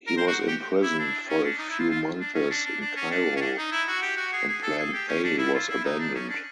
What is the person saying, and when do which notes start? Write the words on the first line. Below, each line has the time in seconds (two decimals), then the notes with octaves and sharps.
He was imprisoned for a few months in Cairo and Plan A was abandoned.
0.07 A#4
0.17 C5
0.27 F#4
0.48 G4
0.83 E4
0.99 D4
1.29 C#4
1.44 D4
1.59 D#4
1.69 E4
1.79 F4
1.90 F4
2.20 D4
2.35 C#4
2.50 D4
2.65 D4
2.80 D4
2.96 C#4
3.11 D4
3.36 C#4
3.41 D4
3.57 D#4
3.72 E4
3.87 F#4
4.02 G4
4.17 F#4
4.33 G#4
4.48 G#4
4.63 A4
4.78 G#4
4.93 G4
5.08 C#4
5.24 D4
5.38 E4
5.54 F4
5.69 E4
5.85 D#4
5.99 D4
6.15 C#4
6.30 D4